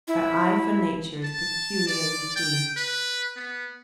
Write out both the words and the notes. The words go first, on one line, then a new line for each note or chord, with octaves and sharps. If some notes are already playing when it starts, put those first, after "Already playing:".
Her eye for Nature is peculiarly keen.
E4
A5
D5
G5
B4
B3